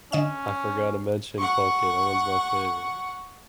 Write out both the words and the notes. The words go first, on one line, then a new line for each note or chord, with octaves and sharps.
I forgot to mention poke, that one's my favorite.
D3 C#4 D#5 E7
F#5 C#6